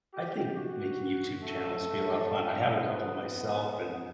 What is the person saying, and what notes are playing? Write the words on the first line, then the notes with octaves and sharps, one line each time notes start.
I think making YouTube channels be a lotta fun. I have a couple of myself, and
G4
F#4
A3
B3
B3